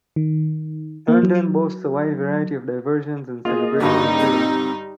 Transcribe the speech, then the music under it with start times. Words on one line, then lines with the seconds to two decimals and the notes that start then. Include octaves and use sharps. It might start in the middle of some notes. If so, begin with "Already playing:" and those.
Herndon boasts a wide variety of diversions and celebrations year round.
0.16 D#3
1.08 A#3
1.23 F#3
3.45 A#3 F4 G#4 D#5
3.80 G2 D3 G3 D#4 F#4
4.19 C4